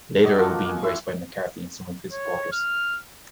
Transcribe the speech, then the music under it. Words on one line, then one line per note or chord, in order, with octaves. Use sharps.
Later, it would be embraced by McCarthy and some of his supporters.
F#3 D#5 D6
F3 A#3 F#4 A4
A#3 G#5
E4 C6 E6
C#5
F6